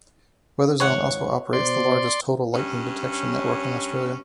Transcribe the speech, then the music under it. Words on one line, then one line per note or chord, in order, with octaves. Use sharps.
Weatherzone also operates the largest total lightning detection network in Australia.
G#1 C#2 C#5 F#5
B2 C5 D5 C6
G2 C#4